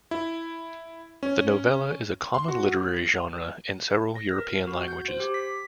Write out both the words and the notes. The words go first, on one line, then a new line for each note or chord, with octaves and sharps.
The novella is a common literary genre in several European languages.
E4
C#4
C6
F#4
A#6
A#4
F#4
G6
C5
G4
B6